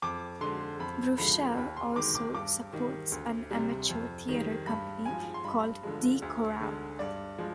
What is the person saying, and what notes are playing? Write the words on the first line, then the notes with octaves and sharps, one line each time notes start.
Bruchsal also supports an amateur theater company called Die Koralle.
F2 D6
D3 G#3 C6
F2 B5
D3 F3 G#3 B5
D#2 B5
C6
D#3 G#3 D6
D6
G2 D6
D#3 G3
D2
C3 G3
F2
D#3 G3
G2 B5
F3 G#3 G#5
C6
G2 B5
D3 F3 G#3
D2
D3 G#3
G2 D5
F3 G#3